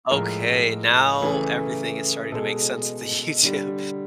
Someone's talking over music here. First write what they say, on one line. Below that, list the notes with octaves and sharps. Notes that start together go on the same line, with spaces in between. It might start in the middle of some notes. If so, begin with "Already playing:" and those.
Okay, now everything is starting to make sense to YouTube.
A2 F3 G#3 A#4
C#3 E3 A3
B2 G#3 A4
D3 G3